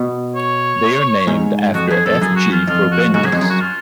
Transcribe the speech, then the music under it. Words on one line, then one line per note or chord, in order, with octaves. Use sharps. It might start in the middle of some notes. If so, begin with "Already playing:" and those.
They are named after F. G. Frobenius.
Already playing: B2
C#5
G#2
F2 F#4
F2 G#4
F2 A4
F#2 G#4
F#4
F4
F2 F4
F#4
G#2 F#4
F#2 G#4
F2
G#4
F#2
F#4
F4